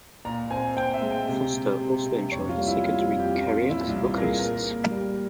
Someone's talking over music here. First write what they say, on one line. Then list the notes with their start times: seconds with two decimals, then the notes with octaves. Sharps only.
Foster also enjoyed a secondary career as a vocalist.
0.25 A#2 A#5
0.50 C4 G#5
0.77 C4 G5
0.94 E5
1.02 G#3
1.11 G5
1.28 C3
1.54 C3
1.80 C3
2.06 C3
2.32 F2 C#5
2.49 F4
2.57 G3
2.67 E4
2.83 G3 F4
3.01 F4
3.09 F2
3.19 G4
3.35 C#4 F4
3.53 F4
3.61 A#2
3.70 E4
3.87 C2 E4
4.04 F4
4.13 A#2 A#4
4.22 G#4
4.39 A#3 A#4
4.65 A#3
4.91 G3